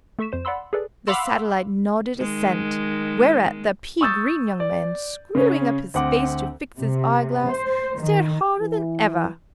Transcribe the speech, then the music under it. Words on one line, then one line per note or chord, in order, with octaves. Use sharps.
The satellite nodded assent, whereat the pea-green young man, screwing up his face to fix his eye-glass, stared harder than ever.
A3 A4 C#6 B6 E7
F2 C5 E7
D5 F#5 B5 C6 E6
G#4 A4 B4 D5
F5 F#5 B5 C6 D6 E6
D#3 G#3
C#6 D#6 E6 G6 A6
D5
C#3 C#4
D2 C4 F#5 D6
C3
C5
D#3
E3